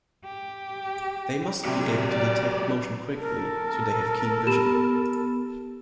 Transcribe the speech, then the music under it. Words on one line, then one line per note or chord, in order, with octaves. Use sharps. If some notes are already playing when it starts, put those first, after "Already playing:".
They must be able to detect motion quickly, so they have keen vision.
G4
C3 F#3 G4
D5
A4 A#4
B3 G4 E7